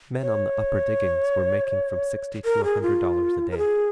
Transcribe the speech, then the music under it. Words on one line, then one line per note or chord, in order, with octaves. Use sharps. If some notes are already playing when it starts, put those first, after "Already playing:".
Men on the upper diggings were making from sixty to a hundred dollars a day.
C#5
A#4
G#4
F4
A#4
G#4